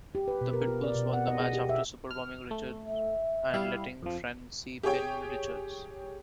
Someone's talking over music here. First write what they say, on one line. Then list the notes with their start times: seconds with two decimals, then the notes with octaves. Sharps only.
The Pitbulls won the match after superbombing Richards and letting Francine pin Richards.
0.15 G4
0.28 B4
0.41 B2
0.53 A#4
0.67 F4
0.84 D5
0.95 B2
1.13 F#5
1.28 D#5
1.39 G#4
1.53 G4
1.69 E5
2.11 F6
2.51 A3
2.87 E5
3.54 G3 E4 F5
4.02 F2 F3
4.83 G4 G#4 C#5 G5